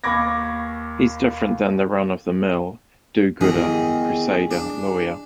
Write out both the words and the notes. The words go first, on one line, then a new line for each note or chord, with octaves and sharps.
He's different than the run-of-the-mill do-gooder crusader lawyer.
D#2 B5 C#6 D6 G#6 A#6
E2 D#3 G#4
D4